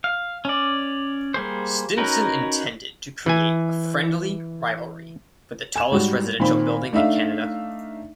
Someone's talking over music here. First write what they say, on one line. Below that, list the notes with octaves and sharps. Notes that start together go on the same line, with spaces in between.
Stinson intended to create a friendly rivalry for the tallest residential building in Canada.
F5
C#4 D5
G3 A#3 G#4 C5
C#4 D#4 F#4 A#4 B4
E3 G#5
G#5 E7
G#2 G3 F#4
A#2 D#3 C4 B5
A3 D4 D#4 E5 F5